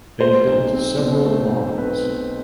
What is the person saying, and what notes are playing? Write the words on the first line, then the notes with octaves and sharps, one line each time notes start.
They built several models.
A3 C5
B1
C4
B2
A3
B1
C4 B4
B2